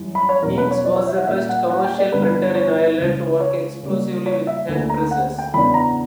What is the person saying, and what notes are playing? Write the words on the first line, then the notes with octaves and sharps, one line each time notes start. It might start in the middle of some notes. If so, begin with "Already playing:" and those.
Yeats was the first commercial printer in Ireland to work exclusively with hand presses.
Already playing: F#2 E3 G3
B5
C#5
E2 B2 F#3 C#4 A#4
B4
C#5
D5
C#5
E5
F#5
A#2 A#3 C#4 E5
F#5
F#5
G5
D5
G2 D3 G3 B3 D4 B4
B4
B4
C#5
C#2 C#3 E3
C#5
C#3 G3 A#3
C#5
E5
D2 D3 A#3
A#5
F#5
G5
E2 C#3 E3 B3 D4 B5
A#5